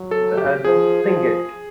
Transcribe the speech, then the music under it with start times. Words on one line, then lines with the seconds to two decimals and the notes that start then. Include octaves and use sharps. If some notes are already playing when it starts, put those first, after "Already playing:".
The album Sing It!
Already playing: F#3
0.11 A4
0.37 G4
0.65 F3 G#4
1.05 F3